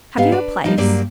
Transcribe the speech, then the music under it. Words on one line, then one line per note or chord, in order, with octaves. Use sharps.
"Have you a place?"
G#2 B3 G4 F5
D4 B4 D5
F3 G3 D4 D#4
G2 F#3 A#3 D4 G4 D5